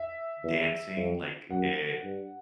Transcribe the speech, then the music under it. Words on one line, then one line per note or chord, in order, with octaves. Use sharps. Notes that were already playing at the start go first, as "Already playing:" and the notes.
dancing, like, e
Already playing: E5
E2
F2
F#2 F#5
G2